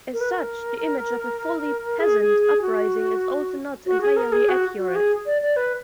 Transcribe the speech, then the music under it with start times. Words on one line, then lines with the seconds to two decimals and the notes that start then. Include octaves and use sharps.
As such, the image of a fully "peasant" uprising is also not entirely accurate.
0.13 A#4
0.21 B4
0.30 A#4
2.00 G#4
2.62 F#4
3.86 F#4
4.01 G#4
4.16 A#4
4.32 G#4
4.49 F#4
4.79 F#4
4.95 G#4
5.26 D5
5.42 D5
5.56 B4